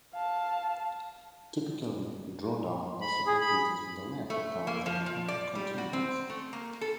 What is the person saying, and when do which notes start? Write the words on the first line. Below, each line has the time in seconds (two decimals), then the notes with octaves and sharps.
Typically, drawdown also increases with the length of time that the pumping continues.
0.13 F5 A5
3.01 B5
3.27 G#4
3.41 B5
4.30 A3
4.67 A#3
4.86 F3
5.06 F3
5.28 D5
5.55 G3
5.78 F#4
5.93 C4
6.30 A3
6.53 A#3
6.81 A4